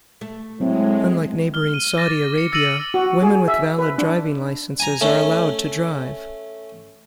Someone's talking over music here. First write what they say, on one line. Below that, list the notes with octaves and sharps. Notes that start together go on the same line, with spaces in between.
Unlike neighboring Saudi Arabia, women with valid driving licences are allowed to drive.
A3
A2 F#3 G#3 C4
F6 G7
D#7
D6 A6 A#6
C#7
E6 A6 A#6 C#7 D#7 F#7
F#4
G#4
E5
B4
D4
G#5 A#5
A3 C#4